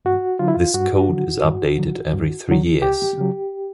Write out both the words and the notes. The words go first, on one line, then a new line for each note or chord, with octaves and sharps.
This code is updated every three years.
G2 F#4
D3 F#3 F4
E4
F4
G2 F#4
D3 F#3
G2
D3 F#3
G2
D3 F#3
C#2 G4
C#3 F#3